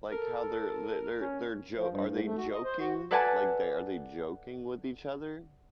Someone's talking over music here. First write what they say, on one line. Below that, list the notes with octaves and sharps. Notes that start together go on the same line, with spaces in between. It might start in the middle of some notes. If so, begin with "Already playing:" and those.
Like, how they're the they're they're jo are they joking? Like, they are they joking with each other?
A4 A#4
A#4
C#4
F3
G2
G#2
A3
F#4
D#5
C5
F#4
A4 B4 D5 F#5 G#5 A5